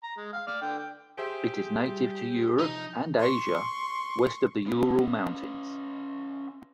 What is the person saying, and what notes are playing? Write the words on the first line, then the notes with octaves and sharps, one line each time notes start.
It is native to Europe and Asia west of the Ural Mountains.
A#5
G#3
F5
D5 F6
D3 G5
G5
G4 G#4 C5 E5
G3
C3 F3 D#4
C6 C#6
C#4 B4